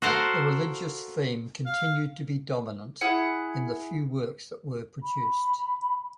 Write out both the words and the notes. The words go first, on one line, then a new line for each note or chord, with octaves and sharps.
The religious theme continued to be dominant in the few works that were produced.
F#4 A4 A#4 C5 F5 F#5
F5
E4 G#4 F#5
B5